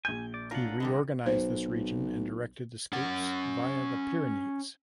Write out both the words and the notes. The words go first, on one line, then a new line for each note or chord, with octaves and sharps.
He reorganized this region and directed escapes via the Pyrenees.
A#1 G#5 G6
D5
F#3 D4 F4 A#4 F#5
B2 D3 G3
B1 C5
C#4 F#5